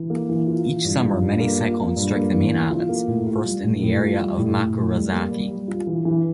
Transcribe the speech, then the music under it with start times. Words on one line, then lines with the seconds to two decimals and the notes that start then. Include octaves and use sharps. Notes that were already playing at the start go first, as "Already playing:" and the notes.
Each summer many cyclones strike the main islands first in the area of Makurazaki.
Already playing: E3
0.10 A#3
0.29 E3
0.47 F4
0.66 E3
0.85 G2
1.03 F4
1.22 G2
1.40 A#3
1.59 F4
1.78 F4
1.96 G2
2.15 A#3
2.34 E3
2.52 E3
2.70 F4
2.89 A#3
3.08 A2
3.27 F4
3.45 G3
3.64 A2
3.82 A2
4.01 F4
4.20 G3
4.38 A2
4.57 A2
4.75 A2
4.94 G3
5.12 A#3
5.31 G3
5.50 G3
5.68 F4
5.87 E3
6.05 E3